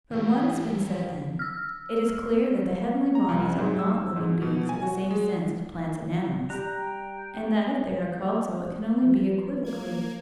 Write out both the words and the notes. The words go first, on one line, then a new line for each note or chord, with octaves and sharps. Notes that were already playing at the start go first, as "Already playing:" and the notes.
From what has been said, then, it is clear that the heavenly bodies are not living beings in the same sense as plants and animals, and that if they are called so, it can only be equivocally.
E3 G4
E6 F6
A#5
C2
G#2
E6
G#2
B2
G#5
F#4
G#3
G3 G5 A#5 F#6
F3 B4
A#3 G#6